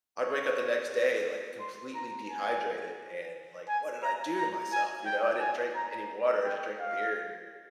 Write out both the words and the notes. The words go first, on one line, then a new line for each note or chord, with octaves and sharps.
I'd wake up the next day, like, completely dehydrated and, like, "What did I do to myself?" You know? I didn't drink any water, I just drink beer.
C#5
C6
A#5
G#5
G#5
A#5
A#5
G#5
G5
G#5
A#5
G5
F5